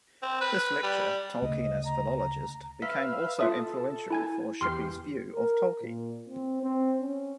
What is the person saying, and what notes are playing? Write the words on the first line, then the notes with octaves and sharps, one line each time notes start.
This lecture, "Tolkien as philologist" became also influential for Shippey's view of Tolkien.
C4
B4
G3
D2 C#3 A3 D#5
A#5
B4 E5 F5 B6
F4 A4 E5 D#6
E4 G#5 G#6
E2 G4 C6 F6 C7
A#4
A#2
C4
C4
C#4